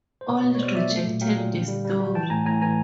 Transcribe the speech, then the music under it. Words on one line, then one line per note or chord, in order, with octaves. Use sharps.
All rejected the story.
C5
B2 B4 C#5
B2
C#5
B2 C5 D5
F#3 D5 E5
A3
A#2
F#3 F5 G5
A#2
D3
G3
G3
G3
E3 G5 A5
A2 G#5 A#5
A2 G#5 A#5
E3 G#5 A#5